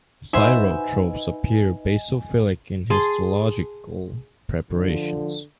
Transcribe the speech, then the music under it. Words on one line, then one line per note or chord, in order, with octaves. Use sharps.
Thyrotropes appear basophilic in histological preparations.
D#4 F#4 B4 C5 D#5 E5 G#5
G#4 A5 C6
D3 F3